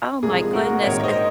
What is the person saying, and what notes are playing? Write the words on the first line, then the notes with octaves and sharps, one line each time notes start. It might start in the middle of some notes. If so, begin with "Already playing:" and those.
oh my goodness, i
C2 A#2 F3 G#3 G#4
F#4 A#4
A#1 G#2 D#3 G#3 A#4 C#5
C5 D#5